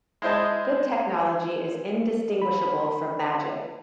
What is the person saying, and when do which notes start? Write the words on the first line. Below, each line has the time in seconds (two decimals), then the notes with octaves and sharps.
Good technology is indistinguishable from magic.
0.22 G#3 E4 C5 D#5 A5
2.42 B5